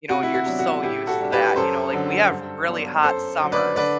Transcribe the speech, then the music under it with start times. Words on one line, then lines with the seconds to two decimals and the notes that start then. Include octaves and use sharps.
you know and you're so used to that, you know, like, we have really hot summers,
0.10 C3 F#4
0.23 E4
0.34 F#4
0.46 F#3 B3 D4
0.59 F#4
0.83 A2 E4 G4
1.07 F#4 A4
1.20 G3 D4
1.32 G4 B4
1.56 F#2 A4 C5
1.93 D3 F#3
2.30 G2
2.67 F#3 B3 D4
3.03 F#2 A4 C5
3.40 D3 F#3
3.52 B4 D5
3.76 D3 B4 D5